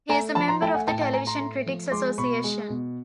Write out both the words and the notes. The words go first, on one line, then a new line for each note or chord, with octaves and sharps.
He is a member of the Television Critics Association.
A3 G#5 A#5
F3 A5 B5
A#5 C6
A3 G5 A5
F#5 G#5
A2 G5 A5
G5 A5
A2 G#5 A#5
A#5 C6
A3
F3
G#3 C6 D6
B2 B5 C#6
G#3
B2